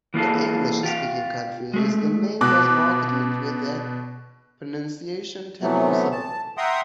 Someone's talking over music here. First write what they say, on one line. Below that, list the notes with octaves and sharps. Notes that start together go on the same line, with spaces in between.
In English speaking countries, the name was marketed with the pronunciation "ten oh seven".
E3 A#3 F4 G#4 A4
F4 G4 F5
G#3 A3
B2 D6 F#6
C3 E3 F#3 A3 B3
A5
E5 F#5 G5 A#5 C6 D#6